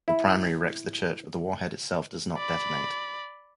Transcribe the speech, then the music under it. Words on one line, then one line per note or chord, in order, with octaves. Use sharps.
The primary wrecks the church, but the warhead itself does not detonate.
E4
D5 B5